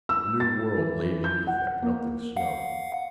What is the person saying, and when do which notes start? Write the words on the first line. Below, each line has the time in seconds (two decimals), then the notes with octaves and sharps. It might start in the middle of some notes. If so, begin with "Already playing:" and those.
A new world lay beneath that melting snow.
0.09 E6
0.40 A6
0.78 E3
1.24 G6
1.47 F#5
1.82 A#3
2.37 F5 F#5